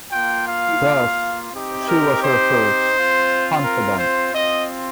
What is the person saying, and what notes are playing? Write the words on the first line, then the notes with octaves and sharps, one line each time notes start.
Thus, she was her first confidant.
A#3 F4 G5
F5
C4 D#4 G4
A#4
C5
C4 F4
A#4
C5
C4 F4 D#5